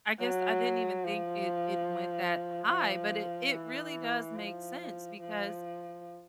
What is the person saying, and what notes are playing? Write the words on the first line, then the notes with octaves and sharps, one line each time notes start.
I guess I didn't even think it it went that high but it it really does make sense because,
F#3
F3
F3
E3
F3
F3